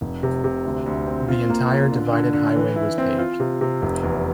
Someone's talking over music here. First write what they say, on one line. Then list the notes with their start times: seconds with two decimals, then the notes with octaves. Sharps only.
The entire divided highway was paved.
0.01 F1
0.23 C3
0.44 C3
0.65 D2
0.86 D2
1.07 C4
1.28 F4
1.50 A#3
1.70 F4
1.92 D3
2.12 D3
2.33 D3
2.56 E3
2.76 E4
2.98 C4
3.18 F4
3.40 C3
3.61 C3
3.82 F1
4.03 E2